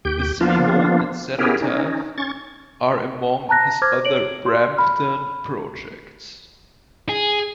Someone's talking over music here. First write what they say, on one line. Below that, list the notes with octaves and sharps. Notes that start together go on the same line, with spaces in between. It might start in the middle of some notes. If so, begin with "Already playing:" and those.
The City Hall and Cenotaph are among his other Brampton projects.
D#2 G4 G6
F3 A#3 B3 D4 F4
B3 C#4 E4 G4 G#4 A#4
C#4 D#4
C#4 C#6 A6
A5 A#5 F#6 A#6
C5 D6 F6 G#6
C#5 D7 F#7
C6
B5 F6
G#4